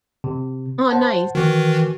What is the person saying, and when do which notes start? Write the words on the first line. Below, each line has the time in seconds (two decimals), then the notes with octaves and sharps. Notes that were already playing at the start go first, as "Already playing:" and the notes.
Oh, nice.
0.24 C3
0.91 C5 F#5 A5
1.35 D#3 E3 F#4